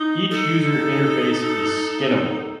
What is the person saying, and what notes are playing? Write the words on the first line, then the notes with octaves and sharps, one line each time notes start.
Each user interface is skinnable.
D#4
D#4 A4